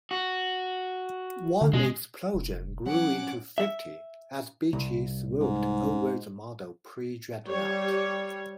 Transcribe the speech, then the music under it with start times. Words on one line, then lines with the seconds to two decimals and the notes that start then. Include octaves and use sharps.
One explosion grew into fifty as Beachey swooped over the model predreadnought.
0.11 F#4
1.61 D3
1.73 B2 G#3
2.34 F1
2.86 F#3 C#4 F#5 D6
3.58 E5
4.73 C2
5.41 G#2
7.47 G3 C#5